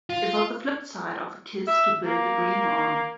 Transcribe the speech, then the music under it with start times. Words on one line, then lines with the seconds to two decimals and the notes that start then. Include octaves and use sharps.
It was the flip side of A Kiss to Build a Dream On.
0.10 F4
1.68 E5
2.06 A#3